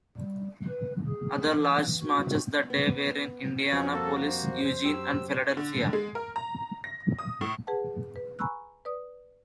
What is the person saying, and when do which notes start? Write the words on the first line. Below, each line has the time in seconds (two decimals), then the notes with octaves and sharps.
Other large marches that day were in Indianapolis, Eugene, and Philadelphia.
0.18 G3
0.68 B4
1.07 G#4
1.49 E3
2.02 F#4
2.70 B3
3.72 F2 B2 F#3 C4 C#4 F4 G#4
3.92 G3 A#3 C4 F#4 A4
4.27 C5
4.85 F#2 F#3 G4 E6
5.57 D3
5.93 G#3
6.15 A#4
6.36 A#5
6.84 A#6
7.19 D#6
7.41 A2
7.67 G#4 B4 F#5 A5
8.16 B4
8.39 G#5 A#5 B5 C#6 E6 F#6
8.85 B4 D5 D#6